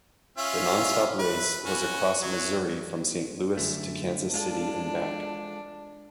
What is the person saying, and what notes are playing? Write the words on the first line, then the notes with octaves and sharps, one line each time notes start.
The non-stop race was across Missouri from Saint Louis to Kansas City and back.
C#4 F4 E5
B4
C#4 F#4
F#3
F#2 D3 A3
G#3 D4 F4 A4